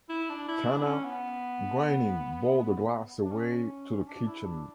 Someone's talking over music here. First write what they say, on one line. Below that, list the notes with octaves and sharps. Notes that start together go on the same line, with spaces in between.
Tana, grinning, bore the glass away to the kitchen.
E4
D4
E4
D4
B3
C#4
B3
D4
C#4
D4
E4
D4